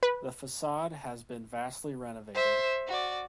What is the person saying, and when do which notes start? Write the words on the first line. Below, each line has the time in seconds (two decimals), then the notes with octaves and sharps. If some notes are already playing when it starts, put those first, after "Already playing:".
The facade has been vastly renovated.
0.03 B4
2.35 C5 E5
2.88 F#4 D5